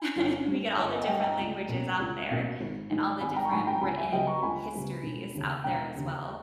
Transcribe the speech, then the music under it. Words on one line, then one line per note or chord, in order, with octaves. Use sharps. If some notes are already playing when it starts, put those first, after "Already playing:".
And we get all the different languages out there and all the different written histories out there, as well.
Already playing: G#5
G1
G2 G3
G1 C#5
D#5
G#5
G2 G3 D#5 G5
G5 A#5
C#2
B2 A#3 C#4
C#2
B2 A#3 C#4
G#1
G#2 D#3 G#3
G#1 G#5 B5
G5 A#5
C#6
G#2 D#3 G#3 G#5 B5
G5 A#5
C#2 G#5 B5
E5 G#5
C#3 G3 B3 D#5 G5
A#5 C#6
C#2 G#5 B5
C#3 G3 B3
E1
D#2 C#3
E1 G5 A#5
D#2 C#3